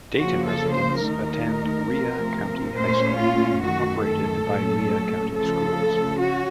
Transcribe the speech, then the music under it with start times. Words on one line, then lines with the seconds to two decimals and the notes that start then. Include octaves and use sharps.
Dayton residents attend Rhea County High School, operated by Rhea County Schools.
0.17 C#3 F3 A#3 F#4
0.46 A4
0.74 C5
1.03 D#2 D#3 A3 D#4 A#4
1.89 C3 F3 A3 C4
2.75 A#2 A3 C#4 C5
3.18 F4
3.61 F#2 D#3 A3 F#4
4.05 A4
4.47 A#2 F#3 A3 C#4
5.33 C#3 F3 A3 A4
6.19 C#4 F#4